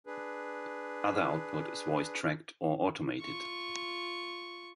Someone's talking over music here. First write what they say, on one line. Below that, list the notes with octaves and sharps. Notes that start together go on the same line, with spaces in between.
Other output is voicetracked or automated.
D4 G#4 B4
F4 C#6